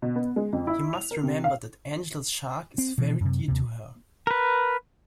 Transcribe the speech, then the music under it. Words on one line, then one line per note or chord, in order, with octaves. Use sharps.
You must remember that Angela's shark is very dear to her.
B2
B3
G#3
F2
E4
F7
A#4
C3
F5
C4
B2 E3
F#2 C3
D#2 C3
A#4 B4